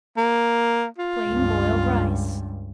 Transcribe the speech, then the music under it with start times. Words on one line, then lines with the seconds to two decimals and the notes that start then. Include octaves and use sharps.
Plain Boiled Rice.
0.17 A#3
0.98 F4
1.28 C#2 G2